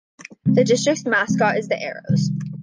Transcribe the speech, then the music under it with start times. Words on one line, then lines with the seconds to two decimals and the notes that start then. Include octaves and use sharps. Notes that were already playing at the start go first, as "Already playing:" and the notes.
The district's mascot is the Arrows.
0.46 C#3 F3 G#3 C4
1.28 C#3 F3 G#3 C4
2.09 C3 D#3 G3